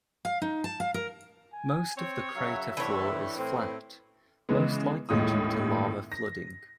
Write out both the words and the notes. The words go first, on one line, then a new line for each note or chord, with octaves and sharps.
Most of the crater floor is flat, most likely due to lava flooding.
F5
D#4
A5
F5
A#4
G#5
C4 C#5
F#2 C#3 F#3 E5
G2 D3 E3 A3 C4 C#5
A2 C4
C#3 E3 G#3 B3
A1 D#2 A2 G#3 F4 D#6
A#6